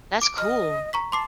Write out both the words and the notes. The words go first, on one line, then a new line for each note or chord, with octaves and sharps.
That's cool.
D6 D7
D#5 F6
A#5 C#6 B6
A5 C6 D6 C7